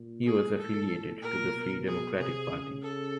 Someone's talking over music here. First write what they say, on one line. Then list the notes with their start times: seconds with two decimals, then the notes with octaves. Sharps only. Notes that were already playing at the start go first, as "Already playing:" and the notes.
He was affiliated to the Free Democratic Party.
Already playing: A#2
0.26 G#4
0.58 A2 A4
1.21 A#2 A#4
1.54 B2
1.86 G#4
2.18 C3 G#4
2.50 C#3
2.82 A4